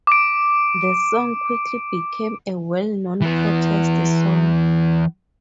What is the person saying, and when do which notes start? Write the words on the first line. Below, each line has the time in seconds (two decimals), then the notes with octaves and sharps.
The song quickly became a well-known protest song.
0.07 D6 D7
3.21 E3 B3